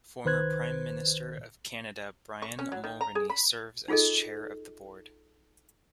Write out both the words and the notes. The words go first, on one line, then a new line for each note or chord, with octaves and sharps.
Former Prime Minister of Canada Brian Mulroney serves as chair of the board.
C2 D#3 B4 C5 F#6 G#6
C#6
C#4
F#3
D#3
A#5
G#4
B5
D#4 F4 G#4 A4 D#5